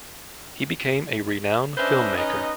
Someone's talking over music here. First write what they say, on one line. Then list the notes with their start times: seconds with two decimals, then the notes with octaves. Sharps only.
He became a renowned film maker.
1.78 C#4 D4 B4 C5 D#5 E5
2.18 C#4 D#4 B4 D#5